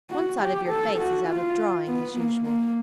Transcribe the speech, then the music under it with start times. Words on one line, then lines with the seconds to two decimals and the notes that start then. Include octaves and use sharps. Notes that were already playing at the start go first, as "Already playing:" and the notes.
One side of your face is out of drawing, as usual.'
0.10 F#4
0.40 G4
0.69 A4
0.99 F#4
1.28 F4
1.87 B3
2.17 A#3
2.47 A#3